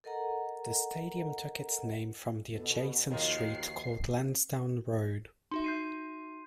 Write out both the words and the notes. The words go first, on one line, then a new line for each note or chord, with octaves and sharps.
The stadium took its name from the adjacent street called Landsdowne Road.
A4 A#4 D#5 F#5 A#5
B2 A4
D#2 D#3 F3 G#3 F#4 C7
D#4 F#4 E5 C6
G6 C7 D#7